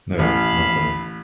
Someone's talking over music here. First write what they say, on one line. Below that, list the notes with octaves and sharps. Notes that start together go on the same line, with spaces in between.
No nothing.
A1 E5 F5 B5